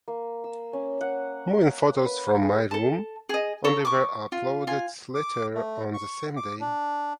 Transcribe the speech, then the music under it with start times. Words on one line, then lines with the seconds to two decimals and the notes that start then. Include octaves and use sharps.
Moving photos for "My Room" only were uploaded later on the same day.
0.08 A#3
0.44 E6
0.73 C#4
1.01 F#5
2.05 B4
2.43 G#4
2.71 A4 A5
3.29 G#4 D#5
3.64 A4 C#5 A#5
3.85 C#6 D6
4.32 F4
4.67 F4 G#5
5.15 D6
5.55 A3
5.94 C#6
6.37 D6
6.61 D4